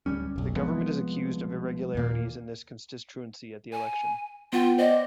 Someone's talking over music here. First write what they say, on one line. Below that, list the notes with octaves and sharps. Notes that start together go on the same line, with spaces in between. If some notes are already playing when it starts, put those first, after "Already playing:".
The government is accused of irregularities in this constituency at the election.
D1 G1 G3 C#4
F1 B1
C2 F3 G#3 B3
D#2 A#2 A#3
G#5
B3 F4 F#5 G5
C5 D5 D#5